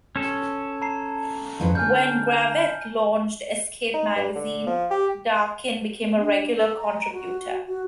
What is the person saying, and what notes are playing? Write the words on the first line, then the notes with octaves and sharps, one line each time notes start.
When Gravett launched "Escape Magazine" Dakin became a regular contributor.
C#4 A4
A5 A#5 C7
F2 G#2 E3
D3 G#5 F6 G6
D#4
G2
D3
F3
G4
B3
D4
A4
A#5
F#4
F#4